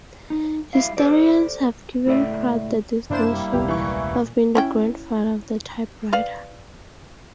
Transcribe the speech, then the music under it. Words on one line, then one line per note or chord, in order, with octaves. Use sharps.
Historians have given Pratt the designation of being the "grandfather" of the typewriter.
D#4
G3 E4 E5 F5
G4 A4 C5 D5
C#2 A2 E4 A4 D5 E5
F#2 C3 A#3 D4 E4 C5 E7
G3
E1 C#2 B2 G4
E3 E5 C#6
A#2
C#4 E4 G5
B4 D5 F5